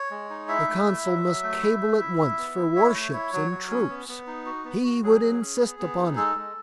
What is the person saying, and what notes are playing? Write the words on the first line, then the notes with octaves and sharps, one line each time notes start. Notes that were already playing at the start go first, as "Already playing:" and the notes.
The consul must cable at once for war-ships and troops. He would insist upon it.
Already playing: C#5
G#3
D#4
E4 E5
A3
E4
F#3
F#3
A3
E4
A3
E4
E4
B3
E4
E4 C#5
A3
E4
F#3
F#3
C#4
B3
B3
D#4
F#4
B3
F#4
F#3 G#4
F#3
C#4
B3
B3
D#4
G#3 A4
G#3